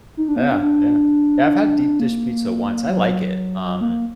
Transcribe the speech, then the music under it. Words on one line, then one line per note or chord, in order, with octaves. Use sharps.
Yeah, yeah, yeah, I've had deep dish pizza once, I like it. Um,
D#4
D4
A#3
B3
D4
D4
A#3
F#3
A#3